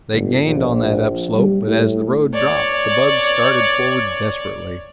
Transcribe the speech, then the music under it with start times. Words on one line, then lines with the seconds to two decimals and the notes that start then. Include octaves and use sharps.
They gained on that upslope, but as the road dropped, the bug started forward desperately.
0.12 G1
0.44 A#1
1.34 G3
1.67 A2
2.34 C#5 D5